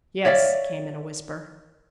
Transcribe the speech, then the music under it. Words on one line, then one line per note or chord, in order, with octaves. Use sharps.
"Yes," came in a whisper.
C#5 D5 E5 F5